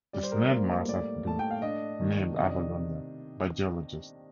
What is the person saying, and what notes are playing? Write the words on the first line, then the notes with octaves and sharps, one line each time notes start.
This land-mass has been named Avalonia by geologists.
G3 D5
C5
A#4
C5
A#3
A2 D5
A2 A5
G5
F5
D4 D#5
D#3
C3 D#5
D5